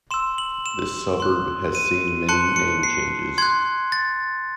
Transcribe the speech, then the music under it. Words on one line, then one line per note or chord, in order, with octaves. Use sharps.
This suburb has seen many name changes.
C6 E6 E7
F#7
E7
C6 F#6
D#7
A5 C6 F#6 C#7
C#7
C7
C6 F#6 G#6
A6